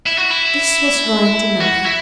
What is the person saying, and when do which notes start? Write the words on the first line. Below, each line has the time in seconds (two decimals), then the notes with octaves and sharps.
This was right enough.
0.07 E4
0.18 F#4
0.31 E4
1.60 F#4
1.86 E4